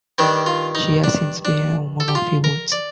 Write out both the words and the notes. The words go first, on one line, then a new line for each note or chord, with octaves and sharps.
She has since been a woman of few words.
G2 D#3 G3 D4
F4
D#4
D4
D4
A4
G4
F4
A#4
D5